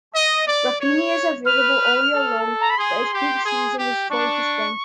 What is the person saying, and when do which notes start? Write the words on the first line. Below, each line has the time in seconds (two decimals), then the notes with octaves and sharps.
Rapini is available all year long, but its peak season is fall to spring.
0.13 D#5
0.46 D5
0.79 C#5
1.45 B4 F6
2.11 A4
2.60 A#5
2.69 B5
2.77 G#4 C6
3.11 G4
3.43 G#4
3.76 G4
4.09 D4 C#6